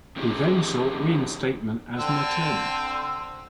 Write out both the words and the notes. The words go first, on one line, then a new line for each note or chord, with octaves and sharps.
He then sought reinstatement as an attorney.
F2 D3 C#4 D#4 G4 G#4
D3 C4 E6